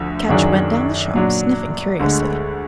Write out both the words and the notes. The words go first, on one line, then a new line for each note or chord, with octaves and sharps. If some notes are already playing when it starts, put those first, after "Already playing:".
Ketch went down the shop, sniffing curiously.
Already playing: D2 D3 F3
F#2 D#3 F#3 D4 G#4
A#2 F#3 D4
D2 D3 G#3